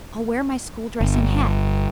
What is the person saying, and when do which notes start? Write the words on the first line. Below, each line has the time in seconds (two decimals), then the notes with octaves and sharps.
I'll wear my school dress and hat.
1.01 G1